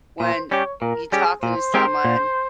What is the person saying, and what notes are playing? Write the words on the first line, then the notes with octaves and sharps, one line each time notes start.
when you talking to someone,
A#2 C5
G3 C#4 G4 C#5
A#2 A#4
G3 C#4 G4 G#4
A#2 C5
G#3 C4 G4 A#4
A#2